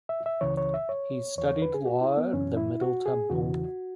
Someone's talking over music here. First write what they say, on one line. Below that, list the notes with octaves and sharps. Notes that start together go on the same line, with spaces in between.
He studied law at the Middle Temple.
E5
E5
C#2 C#3 E3 C#5
C#5
E5
C#5
E2 E3 C#5
C#5
B4
G#4
F#4
E4
B3
F#2 E3 C#4
E4
F#4
G#4
E2 C#3 E3 F#4